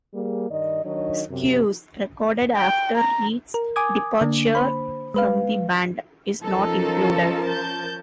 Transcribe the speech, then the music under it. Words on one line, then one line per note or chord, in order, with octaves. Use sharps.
"Squeeze", recorded after Reed's departure from the band, is not included.
G3 A#3 G#4
G2 D#3 D5 D#5
D#3 F#3 D4 D#4 C#5 D#5
F#2 C3
G5
A#5
A#4
G#5 D6 D#6 G#6
D3 A#3 D4
C5 B5
G#3 B4 F5
F3 C#4 D#4 A4 A#4
A5 G6